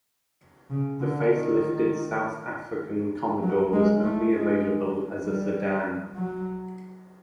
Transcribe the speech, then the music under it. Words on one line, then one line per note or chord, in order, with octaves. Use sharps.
The facelifted South African Commodore was only available as a sedan.
C#3
D3
D#3
F#3
G#3
A3
G#3
G3
F#3